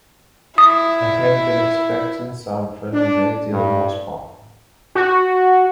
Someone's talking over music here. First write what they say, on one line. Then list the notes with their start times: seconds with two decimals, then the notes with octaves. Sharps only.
I had been expecting something a great deal more sparkling.
0.58 E4 D#6
2.93 D4
3.51 G2
4.95 F#4